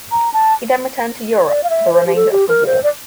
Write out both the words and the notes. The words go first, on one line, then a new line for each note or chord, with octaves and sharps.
He then returned to Europe for the remainder of the war.
A#5
A5
D5
F5
E5
C5
G4
A4
G4
A#4
C5
D5